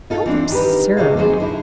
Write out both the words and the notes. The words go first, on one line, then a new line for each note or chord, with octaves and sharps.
How absurd!
D#4 F4 A4
E3 C4 D4
D#3 G4 B4
C3 A3 G#4 D#5 F5
D#2 F#3 C4 D#4 G#4 C5
D3 E4